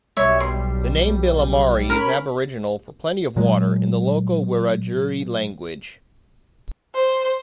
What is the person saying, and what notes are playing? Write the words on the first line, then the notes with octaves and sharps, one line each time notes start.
The name "Billimari" is Aboriginal for "plenty of water" in the local Wiradjuri language.
B1 G3 C#5 E5
C6
C#4 A#4 B5
A#2 F#3 G#3
C5